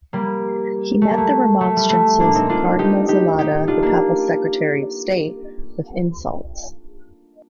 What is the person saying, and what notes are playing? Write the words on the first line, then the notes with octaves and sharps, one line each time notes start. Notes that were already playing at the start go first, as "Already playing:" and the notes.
He met the remonstrances of Cardinal Zelada, the Papal Secretary of State, with insults.
G3 A#3
A3
A#3
A3
A3
G3
A3
A#3 D4
C4 D#4
D4 F4
D#4 G4
D#4 G4
D#4 G4
D4 F4
A#3 D4